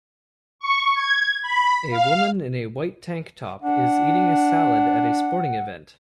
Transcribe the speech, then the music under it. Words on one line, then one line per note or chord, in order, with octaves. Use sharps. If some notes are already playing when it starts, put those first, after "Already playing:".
A woman in a white tank top is eating a salad at a sporting event.
C#6
G#6
B5
F5
D4 F#5